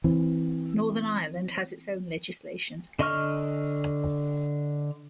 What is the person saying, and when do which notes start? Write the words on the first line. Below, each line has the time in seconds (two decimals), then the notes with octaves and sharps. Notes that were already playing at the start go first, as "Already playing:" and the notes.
Northern Ireland has its own legislation.
0.04 E3 C4
2.99 D3 D#5 C#6 F6